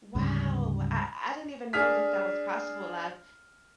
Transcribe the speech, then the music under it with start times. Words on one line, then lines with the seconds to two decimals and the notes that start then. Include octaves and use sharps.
Wow, I I didn't even know that that was possible. I've
0.15 D2 G#2 C#3 G3
1.73 D4 G#4 F6 B6